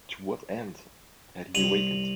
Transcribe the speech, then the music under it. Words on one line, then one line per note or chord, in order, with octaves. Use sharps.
To what end had he awakened?
C2 D#7 F7 F#7